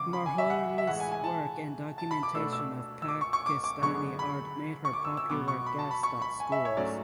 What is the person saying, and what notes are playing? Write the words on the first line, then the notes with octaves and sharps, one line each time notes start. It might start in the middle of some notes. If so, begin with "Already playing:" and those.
Marjorie’s work and documentation of Pakistani art made her popular guest at schools.
Already playing: E2 C#3 G#3 D6
B5
G#5
E5
F#5
E5
A2 E3 G#3 F#5
G#5
G#5
A5
A5
B5
D6
B2 A3 D4 E6
E6
E6
D6
C#6
C#6
D6
D6
F#2 D3 G#3 B3 C#6
B5
C#6
D6
E6
E6
B2 F#3 B3 D6
C#6
B5
A5
B5
C#6
B5
G#5
E5
C#5
G#2 F#3 A3 C#4 D5